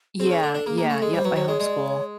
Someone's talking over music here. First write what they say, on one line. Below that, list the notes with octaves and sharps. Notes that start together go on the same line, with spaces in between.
Yeah, yeah yep, I homeschool.
C4 G#4
C#4
D4 A4
D4
A#3 G#4
A#3
A3 A4
G#3
G3 C5
F#3 B4
F#3 C5
G#3 C#5
G#3 D5
D5
C#5